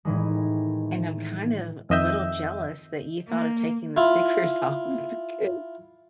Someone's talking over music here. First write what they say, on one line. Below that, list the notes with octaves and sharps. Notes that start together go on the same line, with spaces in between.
and I'm kind of a little jealous that you thought of taking the stickers off because
A2 D#3 E3 G#3
F2 D#3 D#5 E5 E6 G6
A#3
E4 F4